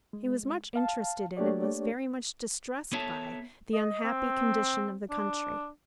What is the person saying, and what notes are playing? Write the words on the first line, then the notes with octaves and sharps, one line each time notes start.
He was much interested in, and was very much distressed by, the unhappy condition of the country.
G#3
F5 A5
A3 A#3 D4 G4 C#5 D5
B3 A4 C#5 E5 A5
D#5
C4
D4